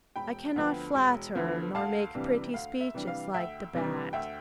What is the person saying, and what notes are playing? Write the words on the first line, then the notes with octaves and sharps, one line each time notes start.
I cannot flatter nor make pretty speeches like the Bat.
E1 G5 B5
D2 D3 F3 B3
E1
D2 D3 F3 B3
D2 F5 A5
C3 E3 G3 D4
D2 F5
E5
C3 E3 G3 D4
F5
D2 E5 G5
C3 E3 G3 D4
D2 E5 G5